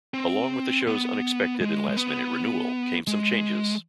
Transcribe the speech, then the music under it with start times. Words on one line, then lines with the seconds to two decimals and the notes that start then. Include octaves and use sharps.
Along with the show's unexpected and last-minute renewal came some changes.
0.14 C4
0.87 B3
1.61 G#3
1.89 G#3
1.97 B3
3.07 G#3